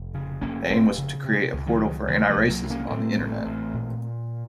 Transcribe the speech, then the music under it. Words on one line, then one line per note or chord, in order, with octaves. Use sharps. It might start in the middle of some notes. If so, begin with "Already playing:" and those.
The aim was to create a portal for anti-racism on Internet.
Already playing: F1
C#3
F1 A#3 C#4
F1 A3 C4
C#3
C3
C#2
D#3 F#3
C#2
C3 D#3 F#3
F3 A3
C2
F#3 A#3
C2
A#3 C#4
A2 A3 C4
A1
A1
A#2